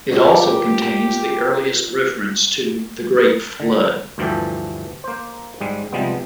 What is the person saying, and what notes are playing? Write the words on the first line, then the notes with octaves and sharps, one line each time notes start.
It also contains the earliest reference to The Great Flood.
A#2 F3 C4 G4
D3
D2 G2 E3 F3 G4 A4
A#3 C5
G#2 G3 G#3
C3 F3 G3 G#3 B3